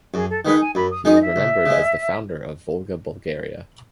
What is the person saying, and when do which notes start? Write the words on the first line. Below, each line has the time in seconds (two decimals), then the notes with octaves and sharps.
He is remembered as the founder of Volga Bulgaria.
0.14 F#2 G#4
0.29 A4
0.44 D#3 G#3 D#4 B4
0.60 G#5
0.75 F#2 B5
0.90 D#6
1.05 D#3 G#3 D#4 D#6
1.15 D#5
1.21 E5
1.36 C#2
1.66 C#3 G#3